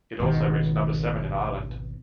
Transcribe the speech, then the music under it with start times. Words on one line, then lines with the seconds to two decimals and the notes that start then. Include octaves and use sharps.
It also reached number seven in Ireland.
0.20 G#1 C#2 B2 D#3